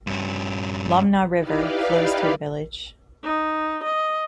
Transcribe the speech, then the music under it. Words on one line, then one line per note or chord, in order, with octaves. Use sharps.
Lomná River flows through the village.
G2 C#4
D#4 E4 G4 B4 D5 F5
D#4
D#5